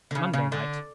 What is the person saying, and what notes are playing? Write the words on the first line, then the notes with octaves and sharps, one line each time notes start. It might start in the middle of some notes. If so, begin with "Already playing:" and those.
Monday night?
D3
C#3
C#3
D3